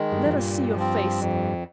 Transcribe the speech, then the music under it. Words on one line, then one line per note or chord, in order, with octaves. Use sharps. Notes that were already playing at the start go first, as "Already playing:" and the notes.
Let us see your face!
Already playing: D#3 G#3
G2
F2
G2 A#2
F3 C4
F2